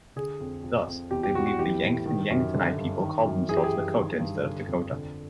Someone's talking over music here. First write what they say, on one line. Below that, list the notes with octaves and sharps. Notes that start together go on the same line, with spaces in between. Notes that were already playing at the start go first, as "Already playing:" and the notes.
Thus, they believed the Yankton-Yanktonai people called themselves Nakota instead of Dakota.
D3 G#4
F2
F2
F2
E2 G4
G4
E2 F#4
F#4
E3 G4
A2
D#3
F#2
D3
G2
D#3
F#2
E3 G#4
G4
G#4
G2
D#3
G2
D3
F2
D3